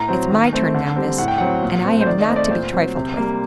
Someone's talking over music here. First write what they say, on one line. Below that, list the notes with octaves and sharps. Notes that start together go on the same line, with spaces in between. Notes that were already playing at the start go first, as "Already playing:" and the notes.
It's my turn now, miss; and I am not to be trifled with.
Already playing: A2 A#5
F#3 C4
D#3
A3 C4
D3
G3 C4
A2 F#5
G5
F#3 C4 F#5
A#2
A3 C4
C5
D#3 D5
D#5
A3 C4
D5
A#2 C5
F#3 C4
C3
G3 A#3